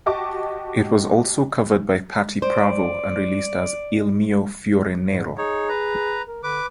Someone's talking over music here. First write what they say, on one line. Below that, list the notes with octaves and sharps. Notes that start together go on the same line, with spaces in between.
It was also covered by Patty Pravo and released as "Il Mio Fiore Nero".
F#4 G4 D#5 A5 C#6 D6
C5 D5
G#2
D#4 G#4 C#5
B4 A#5
A#4
D3 B4 D6